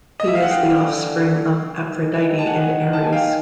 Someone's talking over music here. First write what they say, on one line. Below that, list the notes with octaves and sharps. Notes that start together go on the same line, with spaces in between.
He is the offspring of Aphrodite and Ares.
D#5
E5
F5
F#5
D3 F5 G5
D#3
A5
F#5 G#5
A5
G#5
F5 G5